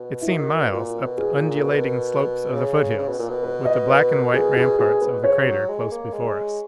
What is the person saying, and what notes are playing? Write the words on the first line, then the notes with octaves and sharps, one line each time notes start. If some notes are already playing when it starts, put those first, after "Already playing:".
It seemed miles up the undulating slopes of the foothills with the black and white ramparts of the crater close before us.
Already playing: B2
E4
D#3 F#4
B2
A#2 F#4
B2
G#4
A#2
B2 A#4
C#3
C#3
B2
A#2
B2
B4
D#5
B4
A#4
B2 G#4
B2 G#4
B2 G#4
B2 B4
C#3 C#5
F#3
G#3
A#3
G#3